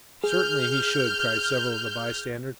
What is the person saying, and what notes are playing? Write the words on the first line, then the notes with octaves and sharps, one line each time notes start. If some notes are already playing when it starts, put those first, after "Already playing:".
"Certainly he should!" cried several of the bystanders.
G#4 F6 G6